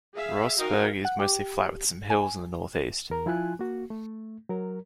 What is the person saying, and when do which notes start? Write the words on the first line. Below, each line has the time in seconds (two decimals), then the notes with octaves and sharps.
Rohrsburg is mostly flat with some hills in the northeast.
0.16 G#4 E5 F5
0.58 D#4 F#4 A#4 D#5 F5 G5
1.05 F#5
1.20 G4
2.10 G#5
3.10 E2 A#4 A#5
3.26 F3 E4 F4 G#5 F#6
3.59 A#3 F#4
3.90 A3
4.49 F#3 A#4